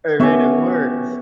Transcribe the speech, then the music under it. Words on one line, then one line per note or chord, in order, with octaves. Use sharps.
I mean, it works.
B3 C#4 G4 C#5 E5